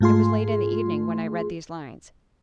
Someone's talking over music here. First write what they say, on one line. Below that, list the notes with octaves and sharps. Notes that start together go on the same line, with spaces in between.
It was late in the evening when I read these lines.
G#2 A3 F4 G#4 C6